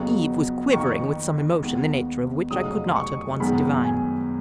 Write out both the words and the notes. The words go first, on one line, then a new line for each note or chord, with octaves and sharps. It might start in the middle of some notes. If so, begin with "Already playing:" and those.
Eve was quivering with some emotion the nature of which I could not at once divine.
Already playing: F2 C#3 F#3 B3 C#6
F2 D#3 A#3 C#6
D#2 D#3 G#3 B3
F1 F2 C#3 F#3 D#6
C#6
F#2 D#3 G#3 B3 B5
G#5